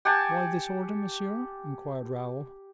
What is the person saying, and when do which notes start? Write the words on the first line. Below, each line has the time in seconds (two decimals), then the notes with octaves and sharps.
"Why this order, monsieur?" inquired Raoul.
0.05 G4 F#5 G#5 A5